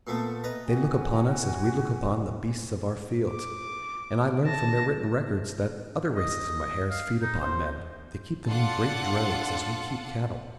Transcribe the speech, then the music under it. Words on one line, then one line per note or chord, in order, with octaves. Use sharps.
They look upon us as we look upon the beasts of our fields, and I learn from their written records that other races of Mahars feed upon men--they keep them in great droves, as we keep cattle.
A#2 A3 B3 A4
B4 D#5 A#5
F#4 G#5
D6
A5 A#6
D#5
F5
D#4
C5
D4 F4 A4 F#5 A6 C#7